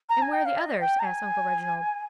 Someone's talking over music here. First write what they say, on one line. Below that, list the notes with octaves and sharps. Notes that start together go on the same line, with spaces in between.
'And where are the others?' asked Uncle Reginald.
A#5
G#5
G5
F5
D#5
G5
A#5
G#5